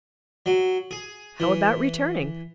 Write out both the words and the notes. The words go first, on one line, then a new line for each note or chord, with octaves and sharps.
"How about returning?"
F#3
G#4
E3